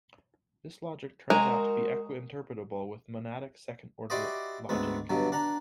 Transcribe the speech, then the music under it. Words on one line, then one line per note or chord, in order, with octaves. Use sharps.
This logic turns out to be equi-interpretable with monadic second order logic.
G#3 F#4 A#4 C5 G#5 A#5
E4 F#4 G4 C5 D5 D#5
D2 G#2 B3 C4
G2 B2 D3 F#3
D4 F#5 A#5